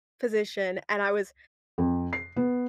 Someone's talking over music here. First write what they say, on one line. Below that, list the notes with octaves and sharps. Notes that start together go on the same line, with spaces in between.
position, and I was
F2
C7
B3